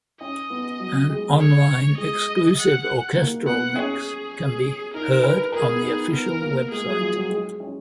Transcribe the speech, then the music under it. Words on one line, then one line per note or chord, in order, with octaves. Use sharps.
An online exclusive "orchestral" mix can be heard on the Official website.
C#4 D#5
B3
F#3
G#3
C#5
G#3 D#5
F#5
A#3
B3 F#5
C#4 G#4
G#4
D#4 A#4
B4
G#4 A#4
B3
D#4
B3 A#4
A#3
G#3 G#4
F#3
F3
F#3
G#3
C#4